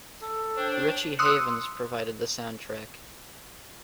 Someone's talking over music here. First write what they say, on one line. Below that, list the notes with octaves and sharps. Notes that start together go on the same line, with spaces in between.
Richie Havens provided the soundtrack.
A4
D4 C5 C#5 G5
C6 D#6 E6 F#6 C#7